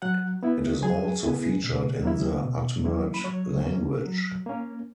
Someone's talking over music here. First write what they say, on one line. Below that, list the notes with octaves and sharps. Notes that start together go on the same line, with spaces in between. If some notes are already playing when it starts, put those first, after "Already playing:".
It is also featured in the Udmurt language.
F#3 F#5 F#6
B3 E4
F#3 G#4 G#5
B3 E4
B2
F#3 A#3 C#4 E4
B2
F#3 A#3 C#4 E4
B5
F#3 C#5 C#6
A#3 C#4
F#3
A#3 C#4